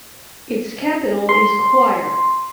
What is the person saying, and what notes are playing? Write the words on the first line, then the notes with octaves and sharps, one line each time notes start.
Its capital is Choir.
C6